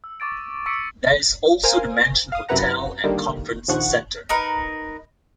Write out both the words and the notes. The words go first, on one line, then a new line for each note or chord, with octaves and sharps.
There is also the Mansion Hotel and Conference Centre.
E6
C#6 D6 A6 D7
C#6 D6 E6 B6 C#7 D7
A#4 C5 F5 G#5
F5 D#6
F#2 C3 E4 B4 F#5 A#5
D3 D#3 G3 A#3
A#1 D#2 F3 F#5 C#6
D#4 A#4 B4